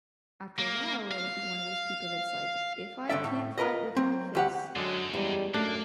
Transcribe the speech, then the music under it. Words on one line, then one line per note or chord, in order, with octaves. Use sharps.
after a while, I would be one of those people that's like, "If I can't fight with my fists,
A#3
F5
G2 D3 E3 D5 E5
A2
F4 A#4 B4 D#5
F#3 C4
D2 G4 F#5
F#2 D3 F#3 G#3
E2 G3 G#3
F#2 A3 A#3 D4